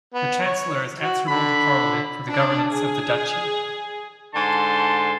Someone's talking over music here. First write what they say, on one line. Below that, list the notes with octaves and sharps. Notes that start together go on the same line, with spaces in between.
The Chancellor is answerable to Parliament for the governance of the Duchy.
B3
C#5
F#4
D3 B5
D4
G#4
G#2 D3 A5 C6